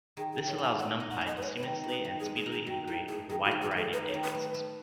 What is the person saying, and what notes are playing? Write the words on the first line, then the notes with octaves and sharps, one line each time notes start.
This allows NumPy to seamlessly and speedily integrate with a wide variety of databases.
D#3 G#4
G#4
D#3
C#5
A4
G#5
A4 F#5
D#4
F#5
A4
D#5
B4
G#3 C#5
B4
D#3
D#3 B4
D#3
G#4
G#3
G#4
D#4
G#4
D#3 F#4
D#3 E4
A3 G#4
D#3 G#4
F#4
D#3
G#4
A3
A4
D#4 B4
C#5
D#3
B4
A3 B4
A3